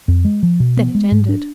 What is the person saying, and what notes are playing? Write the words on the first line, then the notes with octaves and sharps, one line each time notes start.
Then it ended.
F2
G#3
F3
B2
B3
G#3
G#2
D4